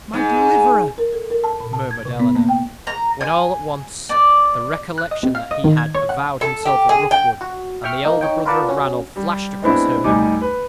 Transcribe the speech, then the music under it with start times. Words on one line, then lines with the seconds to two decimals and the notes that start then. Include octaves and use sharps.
"My deliverer!" murmured Eleanor; when all at once the recollection that he had avowed himself a Rookwood, and the elder brother of Ranulph, flashed across her memory.
0.13 G#2
0.98 A#4
1.12 A4
1.30 A#4
1.44 A5
1.60 A#2
1.73 A5
1.91 G#6
2.05 C3
2.20 B3
2.36 A#3
2.49 G5
2.87 A#5
3.21 G#5
4.09 D5
4.98 F#6
5.11 D#5
5.23 C3
5.35 F5
5.51 D#5
5.64 D#3
5.77 G#6
5.95 C#5
6.09 F#5
6.41 A4
6.65 G4
6.89 G#4
7.11 G5
7.41 F#4
7.83 E5 G5 C#6 F6
8.04 A#3 D#4
8.21 D#4 C#5 G5
8.46 F4 A#4 B4 D5 F#5 A5
8.69 C#4 F#4
9.16 G3
9.62 G#3 B3 C4 D4 E4
10.04 D2 G3 D#4 G#5 D6
10.41 B4